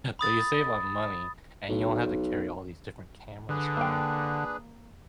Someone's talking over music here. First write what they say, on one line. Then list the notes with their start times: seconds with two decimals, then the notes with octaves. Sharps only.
so you save a lot of money, and you don't have to carry all these different cameras around.
0.19 B5 D#6 A6
1.69 B1
3.49 D3 D4 G#4 B4
3.77 A#3 G5